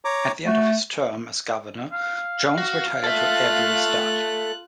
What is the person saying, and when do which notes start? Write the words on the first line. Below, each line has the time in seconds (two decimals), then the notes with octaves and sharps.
At the end of his term as governor, Jones retired to Airdrie Stud.
0.05 C#5 A#5 D6
0.46 A3 F#4
1.92 F5
2.57 F#4
3.04 F4 A4 E5 F#6